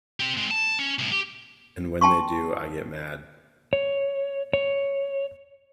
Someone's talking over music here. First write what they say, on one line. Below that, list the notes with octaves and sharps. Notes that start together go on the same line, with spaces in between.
And when they do I get mad.
C4 G4
G#3 C4
A5
C#4
C2 A2
G4
G5 A5 C6 C#6
C#5
C#5